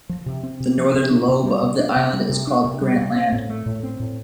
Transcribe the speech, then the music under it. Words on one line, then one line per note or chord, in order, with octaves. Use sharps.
The northern lobe of the island is called Grant Land.
F3
C3
C4
C3
F3
C3
D4
C3
G3
C3
D4
C3
G3
C3
D4
C3
G3
C3
C4
A2
A3
A2
C4
A2